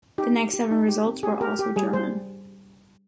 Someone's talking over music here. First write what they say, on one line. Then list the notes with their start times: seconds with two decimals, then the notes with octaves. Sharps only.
The next seven results were also German.
0.18 D#4 G4
0.35 G4
0.53 G4
0.71 D#4
0.89 G4
1.06 C4
1.23 G4 G#4
1.41 G4 A#4
1.59 G4
1.76 G3 G#4
1.93 G3 C5